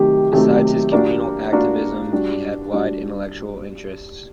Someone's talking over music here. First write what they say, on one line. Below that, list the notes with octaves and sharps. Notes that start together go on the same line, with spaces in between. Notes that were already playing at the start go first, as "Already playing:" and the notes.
Besides his communal activism, he had wide intellectual interests.
Already playing: C3 D#3 F#3 A3 G4
C3 D#3 F#3 A3 G4
A#3 D4 F#4 A#4 D5
A#3 D4 F#4 A#4 D5
G3 D4 F#4
G3 D4 F#4